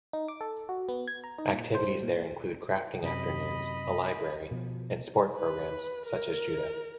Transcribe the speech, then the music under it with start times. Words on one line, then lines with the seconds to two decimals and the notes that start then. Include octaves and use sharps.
Activities there include crafting afternoons, a library, and sport programs, such as judo.
0.13 D#4
0.28 D6
0.41 A4
0.69 F#4
0.89 B3
1.08 G#6
1.24 A#5
1.38 D#4
1.53 A#2
1.75 C5
1.91 G3
2.03 A#2
3.03 F#2 C3 D#5 B5
4.51 B2 F3
5.38 B4
6.06 A#4